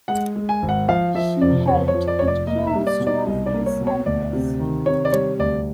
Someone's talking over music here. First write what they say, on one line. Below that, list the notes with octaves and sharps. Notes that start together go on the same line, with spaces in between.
She held it close to her face and breast.
G#3 F#5
G#3
G#5
G#1
F#5
F3 F5
F3 E5
F2 D5
F2 C#5
C#5
F3
D5
F1 C#5
D5
A#3 D#5
E5
G3
D5
B2
D5
C2 D#5
D5
A#3
C#5
B2
C#5
D2 D5
C3
D#3
C3 C#5
D5
G3 C#5
D2 D5